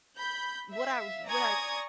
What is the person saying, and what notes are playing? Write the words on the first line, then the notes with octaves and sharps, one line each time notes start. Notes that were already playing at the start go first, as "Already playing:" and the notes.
what I what I
B5 G6
E5 F5
D5 G#5 A#5 C#6 D#6 G#6